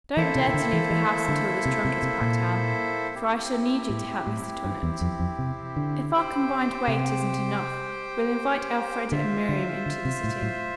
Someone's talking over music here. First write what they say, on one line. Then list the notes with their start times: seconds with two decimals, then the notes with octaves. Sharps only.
Don't dare to leave the house until this trunk is packed, Anne, for I shall need you to help me sit on it. If our combined weight isn't enough, we'll invite Elfreda and Miriam in to the sitting.
0.17 E3 A#3 E4 A4 C5 E5
0.35 C3
0.48 C3
0.54 D3
0.73 E3
0.91 E3
1.28 D3
1.65 C3
1.85 C3
2.02 C3
2.21 A#2
3.15 C4 E4 G4
3.89 A2
4.27 A2
4.65 G2
4.83 E2
5.01 F2
5.20 F2
5.39 C3
5.76 D3
6.13 G4 C5 G5
6.88 C3
9.11 D3 F4 C5 E5
9.49 D3
9.86 D3
10.05 C3
10.24 A2
10.42 A2